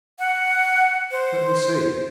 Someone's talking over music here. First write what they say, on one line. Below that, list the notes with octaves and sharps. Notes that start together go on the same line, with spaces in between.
"Let me see?"
F#5
C5